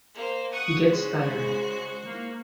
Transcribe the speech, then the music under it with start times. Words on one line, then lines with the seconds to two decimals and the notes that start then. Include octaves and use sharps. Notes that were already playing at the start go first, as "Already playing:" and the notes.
He gets tired.
0.14 A#3 C5
0.52 F#5 C#6 D#6 F#6
0.85 C#3 G#3 F#4 C5
2.06 A#3